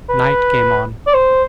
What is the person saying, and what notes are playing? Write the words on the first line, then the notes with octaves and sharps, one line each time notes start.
Night came on.
B4
D5
C5